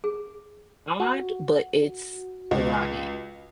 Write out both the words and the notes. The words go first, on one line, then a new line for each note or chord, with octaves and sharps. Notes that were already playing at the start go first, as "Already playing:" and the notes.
Odd, but it's rotten
G#4
F#4
C#2